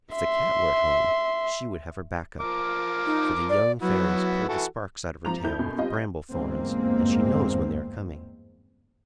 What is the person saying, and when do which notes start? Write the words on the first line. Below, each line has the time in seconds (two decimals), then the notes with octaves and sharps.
If the cat were at home, she would have her back up; for the young fairies pull the sparks out of her tail with bramble thorns, and she knows when they are coming.
0.14 E5 C6
2.40 F3 A#4 D6
3.06 D#4
3.50 D5
3.82 F#3 B3 E4 F#4
4.49 E3 F#4 A4
5.25 C3 F3 A#5 F7
5.43 F2 E4 G6
5.59 F#2 B2
5.78 G3 C4 F4 G4 D#5
5.93 G6
6.31 G1 E2 G#2 G#3 A#3 C4